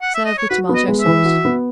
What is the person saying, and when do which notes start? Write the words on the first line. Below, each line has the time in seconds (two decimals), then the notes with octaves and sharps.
Serve with tomato-sauce.
0.02 F#5
0.14 E5
0.25 D#5
0.38 C#5
0.50 F#4 B4
0.69 B3
0.75 D#5
0.88 G#3
1.01 E5
1.06 E3
1.25 F#4
1.45 B3